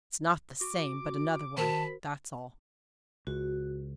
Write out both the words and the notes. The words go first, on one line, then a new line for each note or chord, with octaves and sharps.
"It's not the same but another one; that's all."
F#4 D6
D#3 F#4 A#4 C5 A5 B5
C#2 F#4